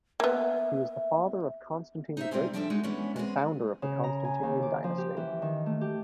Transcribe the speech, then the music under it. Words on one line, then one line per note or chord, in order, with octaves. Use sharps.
He was the father of Constantine the Great and founder of the Constantinian dynasty.
A#3 B3 E5
D#4 C5 E5
C3 G3 C4 F4 G#4 C5
F3 G3 D4 A4 C5 E5
G#3 D#4 F#4
E3 G#3 B3 C#4
G#3 B3 C4 G#4
C#3
A#5
G#5
D#2
D6
F3
G4
E3
D#3
A3
G4